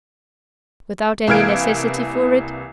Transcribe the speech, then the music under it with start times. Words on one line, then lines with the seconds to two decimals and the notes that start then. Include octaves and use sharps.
"Without any necessity for it?"
1.27 C2 E3 A#3 F6 G#6 D7